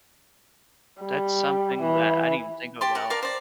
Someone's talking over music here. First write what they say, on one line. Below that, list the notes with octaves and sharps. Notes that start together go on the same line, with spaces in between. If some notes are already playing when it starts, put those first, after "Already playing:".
That's something that I didn't even think about.
G3
E3
G4 A5 C6
A#4 F#5
A#4 D5 F5 A5
C5 D5